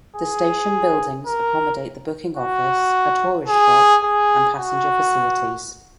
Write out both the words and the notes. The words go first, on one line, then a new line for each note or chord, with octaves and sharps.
The station buildings accommodate the booking office, a tourist shop and passenger facilities.
G#4
A#4
F#4
G#4
G#4
F#4